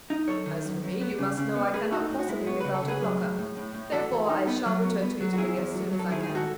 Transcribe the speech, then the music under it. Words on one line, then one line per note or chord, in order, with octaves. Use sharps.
"As for me, you must know I cannot possibly live out of Lucca; therefore I shall return to Italy as soon as I can."
D#4
F#2 A4 C#5
D#3
F#2
F#2
B3
C#3
C#3
B3
A2 G#4 B4
D#4 F#4 A4
A2
F#4
G#3 E4
B3 C#5
C#3 B4
A4
C#3
G#4 B4
F#3
A2
A2
A2
A2
E3 F#4 A4
E3
D#4
B3
F#3
B3
B3
F#3
F#4
E2 E4 G#4
E2
F#3
F#3
A4
D#3 E4 G#4
G#4
G#2
F#4 A4